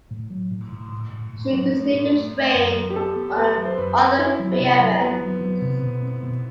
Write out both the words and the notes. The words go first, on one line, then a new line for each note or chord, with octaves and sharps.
She continued to train on the other three events.
A2
F#3
A2
A2
A2
A2
A2
F#3
A3
A2
A3
A3
F#2 B4
F#3
G4
B3 A4
B3
B3 B4
F#3
C5
F#2 B4
B3
C4 E4
F#3
B3
C3 C4
F#3
F#3 B3
F#3
F#3
C3
B2
C4
B2